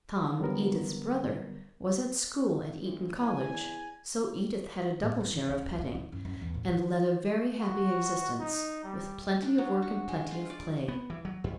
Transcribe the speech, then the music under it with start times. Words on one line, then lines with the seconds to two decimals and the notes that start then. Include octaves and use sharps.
Tom, Edith's brother, was at school at Eton College, so Edith had a double share of petting, and led a very happy existence with plenty of work and plenty of play.
0.40 D3 F#3 G3 B3 A#4
2.83 D2
3.21 E2 G#5
5.01 A2
5.21 C4
5.34 E3
5.49 C#4
5.62 D2
5.79 G2
5.95 E4
6.12 F#2
6.25 F#2
6.41 E2
6.54 A2
6.68 F3
7.58 F#4
8.39 D#4
8.84 G3
9.42 D4
9.58 F#3
9.82 F#4
10.08 G#3
10.31 F4
10.50 D5
10.88 B3
11.10 E3
11.25 F#3
11.44 F2